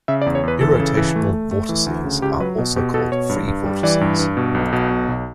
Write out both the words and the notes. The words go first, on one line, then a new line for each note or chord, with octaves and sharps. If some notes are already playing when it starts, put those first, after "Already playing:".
Irrotational vortices are also called "free vortices".
C#3 E5
D5
E2
C#5
E2 B4
E3 A4
C#3
E3
A3
A3
A3
E3
D2
C#3
C#2 G4
F#3 B4
B2
B2 G4
B2 A4
B2 C#5
G2
G2
G3
E3 D5
G2
G2
B2
B1
B2
B1
B1